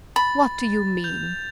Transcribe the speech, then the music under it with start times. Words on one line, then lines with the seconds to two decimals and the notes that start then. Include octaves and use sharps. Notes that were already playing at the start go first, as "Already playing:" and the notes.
"What do you mean?"
0.16 B5 A6
1.04 G6 F7